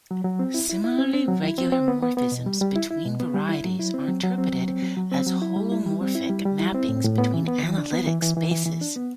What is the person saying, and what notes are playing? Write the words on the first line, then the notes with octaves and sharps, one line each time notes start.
Similarly, regular morphisms between varieties are interpreted as holomorphic mappings between analytic spaces.
F#3
F#3
C4
E4
E4
E4
C4
C4
F#3
E4
C4
C4
B3
B3
B3
B2
G3
G3
E4
E4
B2
B3
G3
E4
F#3
E4
C4
F#3
F#3
C4
F#3
C4
F#3
F#3
C4
F#3
E4
G3
E4
G3
C4
E4
G3
G3
E4
C4
A2
A2
B3
E3
B3
E3
D4
B3
E3
E3
E3
E3
E3
D4
B3